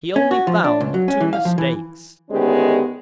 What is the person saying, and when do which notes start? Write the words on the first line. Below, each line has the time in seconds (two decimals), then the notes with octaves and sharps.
He only found two mistakes.
0.16 C#4
0.31 F#4
0.47 F3
0.64 D4
0.80 C#2
0.94 F#3
1.08 C#4
1.21 E3
1.33 F5
1.45 F3
1.58 E3
2.30 D2 D#3 G#3 B3 C#4 G4